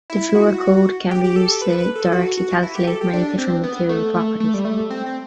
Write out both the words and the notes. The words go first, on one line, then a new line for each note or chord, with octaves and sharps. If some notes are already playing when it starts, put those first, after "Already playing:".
The Fleur code can be used to directly calculate many different material properties.
E4
E4
F#4
G4
G4
A4
B4
B4
A4
F#4
F#4
E4
G4
A4
G4
D4
C4
B3
A3
A3
A3
G3
A3
C4
C4